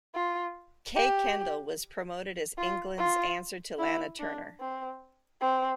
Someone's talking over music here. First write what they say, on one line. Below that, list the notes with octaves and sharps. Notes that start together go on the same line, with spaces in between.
Kay Kendall was promoted as England's answer to Lana Turner.
F4
G4
F4
F4
E4
D4
C4
C4